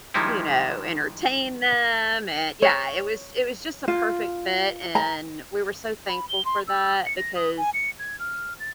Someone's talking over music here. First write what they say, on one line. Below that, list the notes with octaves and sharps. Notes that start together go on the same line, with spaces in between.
you know, entertain them, and yeah, it was, it was just a perfect fit and we were so thankful for that because
D#3 F3 G3 G#3 D#4 E4
C#5
F4
A#5
B5
G7
C6
E6
C#7
A#6
D#6
G#5
C#7
G#6
F6
A6